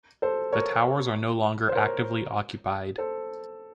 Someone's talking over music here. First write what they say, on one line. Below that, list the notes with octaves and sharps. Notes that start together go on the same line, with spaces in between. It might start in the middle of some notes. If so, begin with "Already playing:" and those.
The towers are no longer actively occupied.
A4 C5
A#4 C#5
C5
A#4 C#5
A4 C5